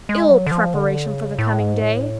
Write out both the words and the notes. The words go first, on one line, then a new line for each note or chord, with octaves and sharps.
Ill preparation for the coming day!
G#3
F#3
D3
F3
D3
C#3
A2
G#2
A2